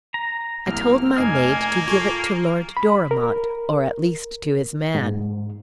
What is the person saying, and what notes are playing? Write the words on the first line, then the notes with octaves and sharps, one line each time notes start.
I told my maid to give it to Lord Dorimont--or at least to his man.'
A#5
C2 F#3 A#3 F6
F1 A#3 D#4 G#5 D#6 F6 G#6
F4 A4 C#6
B5
A#4
G#2